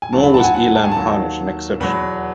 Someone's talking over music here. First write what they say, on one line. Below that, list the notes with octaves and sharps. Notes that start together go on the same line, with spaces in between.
Nor was Elam Harnish an exception.
G#5
D#2 D#3 F#3 A5
B5
A5
F#5
G#5
F#5
A5
G#5
D#2 D#3 F#3 A5
E2 B2 F#3 B5